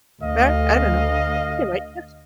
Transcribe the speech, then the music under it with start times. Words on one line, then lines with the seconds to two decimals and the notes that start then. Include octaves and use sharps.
They're I don't know. I think you're right, yes.
0.22 D2 D#5 F5